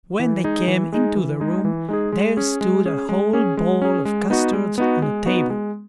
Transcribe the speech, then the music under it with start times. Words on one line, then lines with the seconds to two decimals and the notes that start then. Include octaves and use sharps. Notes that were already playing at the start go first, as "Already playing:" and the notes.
But when they came into the room, there stood a whole bowl of custards on the table.
0.19 E3
0.44 G#3 D#4 G#4
0.68 E3
0.92 G#3 D#4 G#4
1.16 E3
1.40 G#3 D#4 G#4
1.65 E3
1.89 G#3 D#4 G#4
2.12 G#3
2.37 C#4 G#4
2.61 G#3
2.86 C#4 G#4
3.09 G#3
3.33 C#4 G#4
3.57 G#3
3.82 C#4 G#4
4.05 G#3
4.30 B3 D#4 F#4
4.53 G#3
4.78 B3 D#4 F#4
5.02 G#3
5.26 B3 D#4 F#4
5.50 G#3